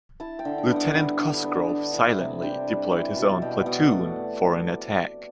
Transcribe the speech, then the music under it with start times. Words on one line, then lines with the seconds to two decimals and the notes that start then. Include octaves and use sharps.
Lieutenant Cosgrove silently deployed his own platoon for an attack.
0.20 E4 A5
0.39 G5
0.45 D3
0.58 G5
0.70 B3
0.76 F#5
0.95 G3
1.19 D3
1.43 B3
1.69 D4
1.93 E3
2.18 C3
2.42 D4 G5
2.68 G3
2.92 E3
3.17 B2 A5
3.42 B2 G5
3.66 B2 F#5
3.91 A3 D5